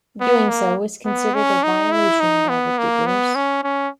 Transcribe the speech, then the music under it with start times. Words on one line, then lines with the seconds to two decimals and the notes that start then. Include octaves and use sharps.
Doing so was considered a violation by the Diggers.
0.20 B3
0.49 A#3
1.05 B3
1.35 C#4
1.63 D#4
1.92 E4
2.20 D#4
2.49 B3
2.78 A#3
3.06 B3
3.35 C#4
3.64 C#4